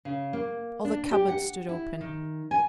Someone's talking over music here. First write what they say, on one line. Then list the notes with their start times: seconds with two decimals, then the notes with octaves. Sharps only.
All the cupboards stood open.
0.05 C#3
0.33 A#3
0.85 D4
1.11 G4
1.28 F#5
1.69 E4
2.01 D#3
2.51 G#5